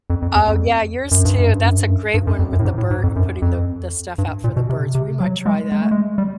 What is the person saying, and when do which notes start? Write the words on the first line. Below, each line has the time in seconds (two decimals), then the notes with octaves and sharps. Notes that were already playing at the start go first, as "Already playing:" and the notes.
Oh, yeah, yours, too, that's a great one with the bir putting the the stuff out for the birds. We might try that.
0.10 F2
0.22 F2
0.35 E2
0.48 F2
1.11 F#2
1.25 G2
1.38 F#2
1.51 G2
1.64 F#2
1.77 G2
1.89 F#2
2.14 G2
2.27 F#2
2.39 F2
2.53 F#2
2.59 A2
2.65 G#2
2.78 A2
2.91 G#2
3.03 F2
3.16 F#2
3.42 F2
4.18 G2
4.44 A#2
4.57 B2
4.70 C3
4.95 C3
5.20 F#3
5.46 G#3
5.72 G#3
5.82 A3
5.91 G#3
6.18 G3